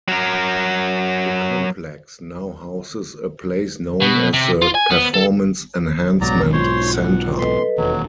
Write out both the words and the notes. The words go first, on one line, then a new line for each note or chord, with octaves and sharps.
The complex now houses a place known as the Performance Enhancement Center.
F#3 A#4
B2
C3
F4
G#5
B3
A4
B1 G#2 B2 F#3 D5 A#5
F4 C5 C#5 C6
F#5
A4 B4 D#5 C6
E1 D#2 F#3